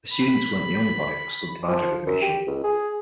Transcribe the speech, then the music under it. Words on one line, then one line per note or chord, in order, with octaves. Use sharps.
The students weren't the only body that stood divided over the issue.
B5
F3
F#2
G4
C#2
G#4